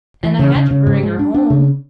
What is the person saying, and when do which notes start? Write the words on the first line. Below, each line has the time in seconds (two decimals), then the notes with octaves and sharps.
And I had to bring her home.
0.23 E3
0.39 C#3
0.55 C#3
0.71 C#3
0.87 G#2
1.03 G#3
1.19 D4
1.34 D4
1.50 C#3